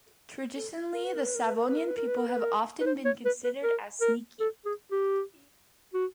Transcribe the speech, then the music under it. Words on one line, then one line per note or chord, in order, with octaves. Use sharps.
Traditionally, the Savonian people have often been considered as "sneaky".
A4
A#4
B4
A#4
B4
A#4
B4
A#4
B4
A#4
B4
A#4
B4
A#4
B4
A#4
B4
C5
C#5
B4
B4
A#4
A#4
A4
G#4
G4
F#4